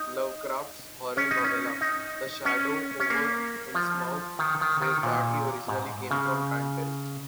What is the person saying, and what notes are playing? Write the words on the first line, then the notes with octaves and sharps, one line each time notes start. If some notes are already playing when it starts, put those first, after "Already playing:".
Lovecraft's horror novella "The Shadow Over Innsmouth" says that he originally came from Panton.
Already playing: D#4
C#4
D#4
C#4
D#4
C#4
C#4
A#3
F3
D#3
D#3
D#3
A#2
G#2
C#3